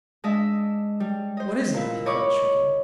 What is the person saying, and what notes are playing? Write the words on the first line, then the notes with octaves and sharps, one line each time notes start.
"What is it?" he cried, shrinking.
G#3 D4 D#5 E5
G3
C5 D#5
A#2 E4
C#5 D#5 B5 C#6 D6